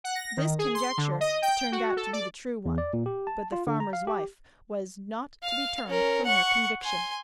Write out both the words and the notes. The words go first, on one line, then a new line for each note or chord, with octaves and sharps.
This conjecture turned out to be the true one, but the farmer's wife was not to be turned from her conviction.
F#5
A#6
D#3
G#4
C6
D3
D#5
G5
F#4
A4
D5
E2
D5
A#2
G4
A5
F4
D3
A#5
F5
G4
F5 F6
C#4 A#4
F#5 C#6
G#5 C6